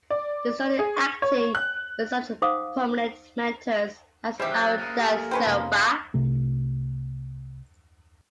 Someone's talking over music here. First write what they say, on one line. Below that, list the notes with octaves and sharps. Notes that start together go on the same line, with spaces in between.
He studied acting with such prominent mentors as Howard Da Silva.
D5
G#4
C#5
F#6
D#4 C5 F5 F#5 D6 D#6
C#3 E3 G3 G4 C5 E5
F#3 F#6 A6
A#3 G#4
G4 A4 G#5
C#4 B4 C5 G5 B5
F1 F5
C2 C3 A3